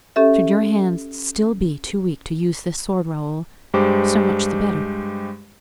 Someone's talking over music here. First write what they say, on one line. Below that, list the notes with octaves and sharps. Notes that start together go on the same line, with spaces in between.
Should your hand still be too weak to use this sword, Raoul, so much the better.
C#4 G4 A4 E5
G2 G#3 G4 C5 D6